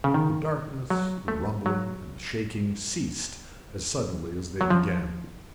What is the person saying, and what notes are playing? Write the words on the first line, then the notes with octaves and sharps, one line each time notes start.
The darkness, the rumbling, and the shaking ceased as suddenly as they began.
C#3
D#3
F#3
A3
F#3
F#3
F3